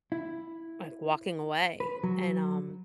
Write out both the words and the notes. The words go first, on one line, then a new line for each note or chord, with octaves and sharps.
Like walking away and, um
E4
B4
F#3